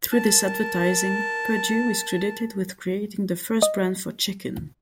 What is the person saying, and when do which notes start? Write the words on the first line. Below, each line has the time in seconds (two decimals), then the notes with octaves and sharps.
Through this advertising, Perdue is credited with creating the first brand for chicken.
0.12 A#4 A5
3.62 D#5